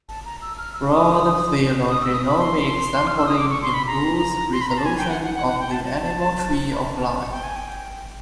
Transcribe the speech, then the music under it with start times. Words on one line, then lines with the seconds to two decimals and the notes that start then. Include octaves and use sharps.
"Broad phylogenomic sampling improves resolution of the animal tree of life".
0.09 A5
0.25 A#5
0.42 E6
0.58 F6
0.74 E6
0.90 D#6
1.90 D#6
2.02 E6
2.14 D#6
2.27 B5
2.39 C6
3.07 F6
3.17 E6
3.27 D#6
3.37 D6
3.50 C#6
3.62 C6
3.74 B5
3.87 A#5
4.53 C6
4.61 B5
4.69 A#5
4.78 A5
4.85 G#5
4.98 G5
5.10 F#5
5.22 F#5
5.34 F#5
5.47 F#5
5.60 G5
5.71 A5
5.84 A5
6.73 B5
6.82 A#5
6.94 A5
7.07 A5
7.19 F#5
7.32 G5
7.44 G#5
7.56 G5